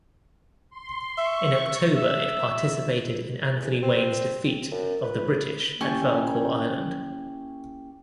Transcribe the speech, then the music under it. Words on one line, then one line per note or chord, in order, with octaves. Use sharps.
In October it participated in Anthony Wayne's defeat of the British at Valcour Island.
C6
E5 C#6
E5
E2
C4
F#2
B4
A#3 C#4 E4 G4 G#5 C#6